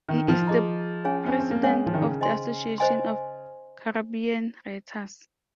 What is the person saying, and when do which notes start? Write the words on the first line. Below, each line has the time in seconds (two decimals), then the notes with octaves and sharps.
He is the president of the Association of Caribbean Writers.
0.09 D#3
0.28 F3
0.47 G#4 D#5 A#5
1.05 C#4 G#4 C#5 F5 G#5
1.26 C#4
1.38 C4
1.51 A#3
1.63 G#3 C#4 G#4 C#5 F5 G#5
1.86 F3
1.94 D#3
2.01 C#3
2.21 C5 D#5 G#5 C6
2.78 C5 D#5 G#5 C6